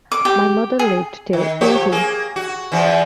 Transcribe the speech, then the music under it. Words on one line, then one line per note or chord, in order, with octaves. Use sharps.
My mother lived till eighty.
D6
G4
G#4
D#3
F3 G4 C#5
A#3 G#4
F#4
E2 E3 F3